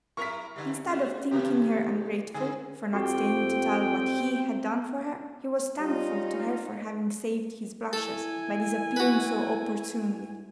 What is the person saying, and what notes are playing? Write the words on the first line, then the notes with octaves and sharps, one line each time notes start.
Instead of thinking her ungrateful for not staying to tell what he had done for her, he was thankful to her for having saved his blushes, by disappearing so opportunely....
F#3 E4 A#4 C#6 B6
G2 D3 G3
G3 G#3 F#4
G2 C#3 E3 G4
D3 A#3 G#4
F2 C4 F#4 G4 G5
G3 C#4 D#4 F4
E4 A4 G#5
F#4 B4